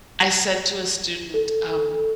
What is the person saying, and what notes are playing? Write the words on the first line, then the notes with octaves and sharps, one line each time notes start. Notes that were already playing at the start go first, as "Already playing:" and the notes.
I said to a student, um,
A4